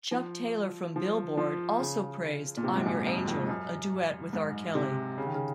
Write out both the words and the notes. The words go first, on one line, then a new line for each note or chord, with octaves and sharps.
Chuck Taylor from "Billboard" also praised "I'm Your Angel", a duet with R. Kelly.
F3
F3
F3
C#3
A#2
C3
G#2
F#2
F2
F2
G#2
F#2
G#2
C3
C#3
D#3
C#3